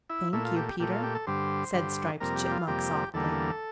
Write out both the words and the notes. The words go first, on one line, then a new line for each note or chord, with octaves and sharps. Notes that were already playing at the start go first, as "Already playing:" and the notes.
"Thank you, Peter," said Striped Chipmunk softly.
E4
A#2 A3 E4
F4
G4
G4
A#2 A3 G4
F4
G4
A4
G2 D3 G3 C5
G2 D3 G3
F2 C3 G3 A#3 A#4
G4
G4
F4
F2 C3 G3 A#3 G4
E2 D3 G3 A#3 A4